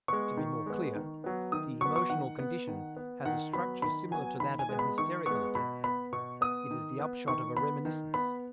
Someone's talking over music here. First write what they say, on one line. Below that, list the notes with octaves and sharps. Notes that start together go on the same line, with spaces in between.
To be more clear: the emotional condition has a structure similar to that of an hysterical attack; it is the upshot of a reminiscence.
G#3 B3 C#6
D#3
G#3 B3
D#3
F#3 B3
D#3 D#6
F#3 B3 C#6
C#6
D#3 F#5
B3
D#3
B3
D#3 F#5
F#3 B3 B5
D#3 B5
F#3 B3 G#5
D#3 B5
G#5
G#3 B3
B5
D#3 C#6
G#3 B3 C#6
B2 B5
B3 B5
B2 C#6
B3 D#6
D#3
B3
D#3 C#6
B3 B5
D#3
B3 B5